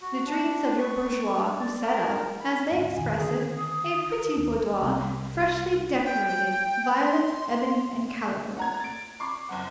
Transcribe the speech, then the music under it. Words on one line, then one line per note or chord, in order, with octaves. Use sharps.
The dreams of your bourgeois who set up, as they express it: a pretty boudoir freshly decorated, violet, ebony and calico.
F#4
D4
C#6
D5
A#4
B5
D2 G#2
F1 A#2 D#3 G#5
D3 D#3 G#4
D#6
D#2
C2
G5
C6
F#5 A#5 G#6
A6 D7
B5 C#6 D6 C7
F#1 F#2 F#5